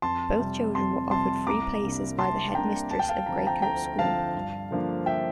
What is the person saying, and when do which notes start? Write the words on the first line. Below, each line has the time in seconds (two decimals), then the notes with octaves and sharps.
Both children were offered free places by the headmistress of Greycotes School.
0.02 F2 A5 C6
0.39 C3 G3
0.75 F2 A5 C6
1.11 C3 G3 A5 C6
1.47 C2 A#5 D6
1.83 C3 G3 A#3 D4
2.19 C2 A5 C6
2.55 C3 G3 A#3 D4 G5 A#5
2.91 D2 A5
2.99 G5
3.09 F5 A5
3.26 D3 F3 C4 A#5
3.37 A5
3.47 G5 A#5
3.62 D2 G5 A#5
3.99 D3 F3 C4 F5 A5
4.35 G2
4.71 D3 F3 A#3 D4
5.06 E5 G5